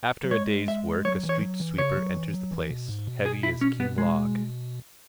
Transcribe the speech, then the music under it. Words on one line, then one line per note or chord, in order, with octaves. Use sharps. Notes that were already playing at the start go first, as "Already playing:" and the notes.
After a day's work a street-sweeper enters the place, heavy as King Log.
F#3
G#3 C#5
E5
F#3 C#5
E3
C#5
F#3
E3
C#3 C#5
F#3
E3
F#3
E3
B2
G#2
B2
G#4
E4
C#4
B3
G#3